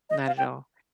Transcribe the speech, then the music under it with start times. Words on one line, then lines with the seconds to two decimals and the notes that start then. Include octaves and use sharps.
not at all,
0.10 D#5
0.27 F5
0.38 G5